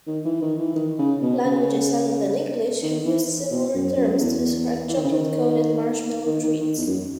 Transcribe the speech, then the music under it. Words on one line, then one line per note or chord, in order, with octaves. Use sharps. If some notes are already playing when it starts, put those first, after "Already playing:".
Languages other than English have used similar terms to describe chocolate-coated marshmallow treats.
D#3
E3
D#3
E3
D#3
C#3
B2
C#3
D#3
E3
B2
F#2
F#2
F#2
E2
E3
D#3
C#3
D#3
D#3
D#3
D#3
E2
F#2